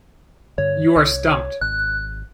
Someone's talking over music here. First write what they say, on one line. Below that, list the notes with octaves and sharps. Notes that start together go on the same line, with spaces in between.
You are stumped.
G2 D3 C#5
C2
G#1 F#6